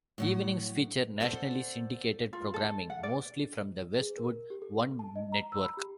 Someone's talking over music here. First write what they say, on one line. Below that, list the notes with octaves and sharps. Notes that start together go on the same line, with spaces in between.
Evenings feature nationally syndicated programming, mostly from the Westwood One Network.
A2 F#3 F#5
A#3 A4 C5 D5 F#5
F4
A4
F#5
D5
G#4
A#4
G4
A4
A5
D#5
A#5
E6
B5
G4